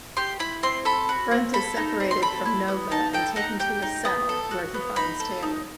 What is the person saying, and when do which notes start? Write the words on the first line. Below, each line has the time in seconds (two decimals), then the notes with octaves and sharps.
Brent is separated from Nova and taken to a cell, where he finds Taylor.
0.17 G4 C6
0.39 E4 B5
0.63 C4 C6
0.85 A4 B5
1.09 F#4
1.31 C4
1.53 A4 B5
1.77 D#4
2.00 C4
2.11 C6
2.22 A4 B5
2.45 E4
2.68 B3
2.91 D#4 A5
3.13 A4 G5
3.36 D#4 F#5
3.59 G4 G5
3.82 D#4
4.05 B3
4.29 A4
4.51 F#4
4.74 B3
4.96 D#4 B5
5.20 A4
5.42 D#4